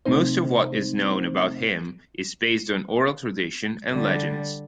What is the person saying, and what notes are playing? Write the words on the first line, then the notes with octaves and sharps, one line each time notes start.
Most of what is known about him is based on oral tradition and legends.
C3 A3 C4 D#4 C5
D3 G3